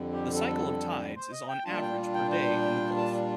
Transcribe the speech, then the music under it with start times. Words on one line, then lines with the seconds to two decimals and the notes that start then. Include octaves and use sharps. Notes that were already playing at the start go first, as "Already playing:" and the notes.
The cycle of tides is on average per day in the Gulf.
Already playing: F2 D3 G3
0.12 G4
0.34 A4
1.16 C5
1.32 D#5
1.49 G5
1.65 A#2 G3 D4 F4 A5
1.82 G5
2.14 G5
2.31 G5
2.97 A5